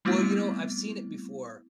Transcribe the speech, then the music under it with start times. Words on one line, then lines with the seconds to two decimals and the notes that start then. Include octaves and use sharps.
Well, you know, I've seen it before
0.05 G3 A3 B3 C4 E4